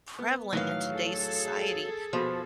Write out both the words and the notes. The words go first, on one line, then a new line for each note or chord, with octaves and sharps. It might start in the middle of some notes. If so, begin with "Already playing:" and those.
prevalent in today's society,
B3
A2 D#3 E3 F#3 F5
G#4 A4
B2 F3 F#4 B5